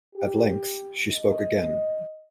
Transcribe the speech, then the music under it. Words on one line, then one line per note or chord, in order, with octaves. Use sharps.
At length she spoke again.
G4
D#5